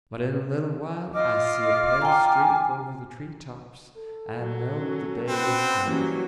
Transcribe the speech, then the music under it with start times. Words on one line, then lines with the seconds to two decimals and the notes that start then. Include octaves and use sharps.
But in a little while I see a pale streak over the treetops, and knowed the day was coming.
1.14 F4 D#5 D6 F6
2.02 G5 G#5 A#5
3.97 A4
4.40 F#3
4.74 C#4
5.28 B2 C4 B4 F#5
5.84 E3 F#3 G3 A#3 C#4